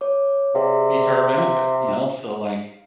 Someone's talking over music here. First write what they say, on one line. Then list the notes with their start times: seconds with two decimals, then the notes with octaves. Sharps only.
be to her benefit, you know, so like
0.01 C#5 D6
0.55 C3 G#4 D5 F5
1.37 F5